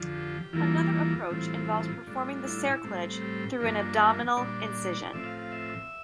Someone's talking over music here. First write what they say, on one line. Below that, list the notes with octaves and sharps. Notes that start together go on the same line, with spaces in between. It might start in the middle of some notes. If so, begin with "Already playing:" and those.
Another approach involves performing the cerclage through an abdominal incision.
Already playing: F2 D3 F3
G4
E2 E3 G3 A#3 F4
F4
A2 E3 G3 C4
A2 G3 D4
E4
F4
E4
A2 G3 C4
G4
G2 F3 A#3 D4
A#2 G3 D4 D5
A2 F3 C4 E5
F5
F5
E5